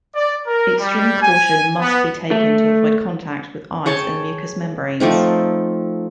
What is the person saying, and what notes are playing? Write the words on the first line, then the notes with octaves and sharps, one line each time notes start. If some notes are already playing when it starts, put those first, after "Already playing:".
Extreme caution must be taken to avoid contact with eyes and mucous membranes.
D5
A#4
G3
G#5
B3
A3
G#4 C#5 G5 A5
F3 A3 C4 D#4